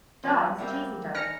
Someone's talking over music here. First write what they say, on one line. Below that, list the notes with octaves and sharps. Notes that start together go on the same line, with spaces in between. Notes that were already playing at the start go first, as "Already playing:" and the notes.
Dogs chase each other.
D#3 F3 B3 C#4 B4 G5
G3 A#3 C4 F#4 E5 G5
A3 C#4 D#4 B4 F6 A#6 C#7